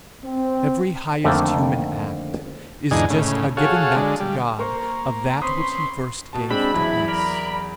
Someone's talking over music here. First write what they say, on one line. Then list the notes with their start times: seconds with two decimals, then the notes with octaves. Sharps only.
Every highest human act is just a giving back to God of that which he first gave to us.
0.24 C4
1.24 F2 D3 D#3 A3 A#3 E5
2.91 E2 G#2 D3 D#4 G#5
3.10 A2 C#3
3.57 F#4 G#4 A4 C#5 F5
3.96 D3 G#3
4.20 G3
4.59 A#3 A#4 C5 C#6
5.42 C4 C#4 B4 C5 C6 D#6
6.33 B2 A5
6.50 G#3 C4 D4 B5
6.74 E2 F#3 E4
7.08 A#4 D5